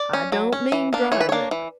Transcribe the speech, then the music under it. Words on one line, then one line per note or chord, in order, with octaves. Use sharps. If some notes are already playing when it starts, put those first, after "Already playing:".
I don't mean dry river.
Already playing: D5
C#4
F#3
C#4
E3
A#3 D4
E3 C#5
B4
A#3 D4 C#5
E3